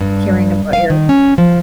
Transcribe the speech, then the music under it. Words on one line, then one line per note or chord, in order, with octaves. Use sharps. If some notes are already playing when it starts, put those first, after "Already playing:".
hearing about your
G2
F5
D#3
C#4
F3